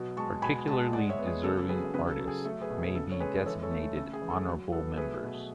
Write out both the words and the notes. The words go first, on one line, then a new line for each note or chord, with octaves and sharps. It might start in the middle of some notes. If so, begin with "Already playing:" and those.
Particularly deserving artists may be designated honorable members.
Already playing: B2 F#3
G#3 A5 C#6
B2 G#5 B5
G#3 F#5 A5
G#3 D5 F#5
C#5 E5
B3
G#4
C#3 A4
F#3 G#4 B4
C#3 G#4 B4
A4
F#3
G#4
A3 A4
G#4 B4
B2
G#4
C#3 A4
C#5
G#3 G#4 B4
E3 A4 C#5
A4 C#5
A3
C#3 A4
G#4
E3
A4
F#3
B3 A4
A3 G#4 B4
B2